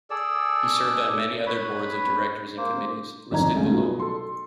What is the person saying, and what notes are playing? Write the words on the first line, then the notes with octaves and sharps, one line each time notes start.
He served on many other boards of directors and committees, listed below.
G#4 A4 D5 E6
B4 C#5 B5
A#3 C5
G1 F2 D#3 D#5 A#5 G#6
C2 C#3 G#3 A3
B2 F#3 D#4 F4
A4 C6